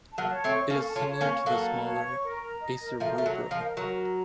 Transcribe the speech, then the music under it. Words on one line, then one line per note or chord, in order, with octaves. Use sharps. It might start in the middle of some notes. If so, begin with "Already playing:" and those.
It is similar to the smaller "Acer rubrum".
A5
F#3 A#3
C#5
A3 C4
C#6
A#3 C#4 A4
A5
C#4 F4
C#5
A#3 C#4
C#6
F#3 A#3 A4
A5
C#5
C#6
A#4
A#5
D#5
A#4
F3 A3 A#4
A3 A#5
F#3
D#5
F3
A#4
F#3 A#4
A#5